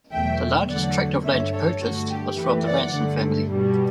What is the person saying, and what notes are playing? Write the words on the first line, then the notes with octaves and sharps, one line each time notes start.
The largest tract of land purchased was from the Ranson family.
E2 B2 F#3 A3 E5 G5
E2 D3 F#3 A3 D5 F#5
G2 D3 A3 C#5 E5
A4 C#5
G2 D3 A3 F#4
G4
F#2 E3 A3 G4 B4
D5 F#5
G2 D3 A3
B2 G3